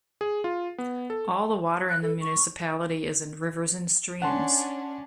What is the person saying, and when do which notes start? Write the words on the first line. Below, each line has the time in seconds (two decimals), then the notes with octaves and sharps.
All the water in the municipality is in rivers and streams.
0.21 G#4
0.44 F4
0.78 B3
1.10 A4
1.89 F#6
2.02 A4
2.21 C#6
4.22 C#4 D4 F#5 A5 C6